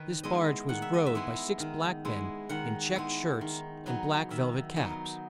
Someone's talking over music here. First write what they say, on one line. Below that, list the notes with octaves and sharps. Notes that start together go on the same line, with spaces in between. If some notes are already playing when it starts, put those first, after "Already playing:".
This barge was rowed by six black men in check shirts and black vel-vet caps.
Already playing: D#3 B4
G#3 B3 E4 D#5
D#3 F#5
E5
D#5
E5
G#3 B3 E4
D#3
G#3 B3 E4
D#3 F#5
G#3 B3 E4
D#3
F#3 B3 D#4
D#3 E5
F#3 B3 D#4